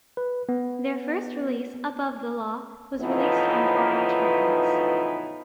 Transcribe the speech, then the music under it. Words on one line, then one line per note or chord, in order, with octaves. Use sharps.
Their first release "Above The Law" was released on Far Out Records.
B4
B3
A2 C#3 E3 F3 B3 D#4